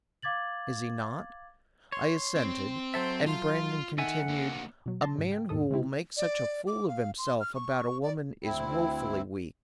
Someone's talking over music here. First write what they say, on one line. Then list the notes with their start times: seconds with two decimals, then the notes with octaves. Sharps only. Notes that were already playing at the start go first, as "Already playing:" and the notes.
Is he not?" I assented; and Brandon continued: "A man who will make such a fool of himself about a woman is woefully weak.
0.22 F5 D6 G#6 A6 F#7
1.92 C#5 C6
2.35 C4
2.94 F#3 A4 C5 E5
3.27 F4 C6
3.98 D#3 D#4 A4 E5 F#5 G#5
4.29 D3 A#3
4.86 B2 F#3
5.01 A5 C6 A6 A#6
5.15 G#2 C#3
5.32 G5
5.49 D#2 G#2 B2 A4 D#6
5.71 C#3 G#3 C4 E4
6.17 D5
6.67 D6
6.88 F5
7.18 C6
7.40 F6
7.55 C#6
8.03 D5
8.44 D2 C4 E4